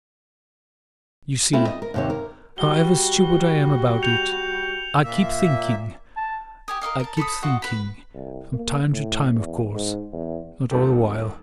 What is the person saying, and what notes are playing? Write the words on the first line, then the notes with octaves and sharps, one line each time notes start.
You see, however stupid I am about it, I keep thinking, I keep thinking--from time to time, of course, not all the while.
A3 C4 E4 F4
D#5
A#4
D#2 C3 C#5
A#4
G3 F#4 G7
G6 C#7 F7
A#2 A#3 E5
A5
G4 G#5 D#6
A#4 C#5 D#5 F5
A#4 A5
A4 B5 C#6 D#6
F4 F#4 D#5 F#5
B4 B5
C2
A#3
A2
E2
G#2
E2
D#2 G3 A3 C4 F4 G4 A#4